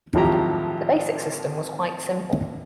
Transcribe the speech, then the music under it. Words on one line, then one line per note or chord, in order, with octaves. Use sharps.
The basic system was quite simple.
G#1 A2 F3 F#3 G4 A#5